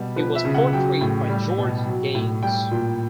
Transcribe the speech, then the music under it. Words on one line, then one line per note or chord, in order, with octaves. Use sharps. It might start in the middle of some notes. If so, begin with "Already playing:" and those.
He was portrayed by George Gaynes.
Already playing: B2 G3
F3 B4
E5
C#3
F#5
F#3 G5
A2
G3
B2
F#3
A2
G3 G5
A#2